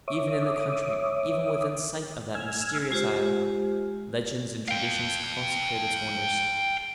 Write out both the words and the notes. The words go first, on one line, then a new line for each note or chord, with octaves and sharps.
Even in the country, even within sight of that mysterious isle, legends and traditions consecrate its wonders.
C#5 E5 D6 D#6
G#5 E6 F6 G#6
G#3 F4 G4 C5
F5 G5